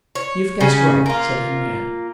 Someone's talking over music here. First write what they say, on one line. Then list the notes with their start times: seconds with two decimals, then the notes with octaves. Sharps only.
"You've guessed right," said Henriette.
0.15 C#5
0.61 C#3 C#4
1.06 A#3 F4